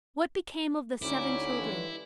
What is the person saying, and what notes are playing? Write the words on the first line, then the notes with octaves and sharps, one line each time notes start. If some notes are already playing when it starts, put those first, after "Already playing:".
What became of the seven children?
D2 D3 C#4 D#4 E4 D6
G2 E3 G#3